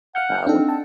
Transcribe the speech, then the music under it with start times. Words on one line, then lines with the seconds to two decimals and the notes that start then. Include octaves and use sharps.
uh, when
0.15 F5 F#5 F6 G6
0.47 C4 D4 D#4 A4
0.69 G5 A5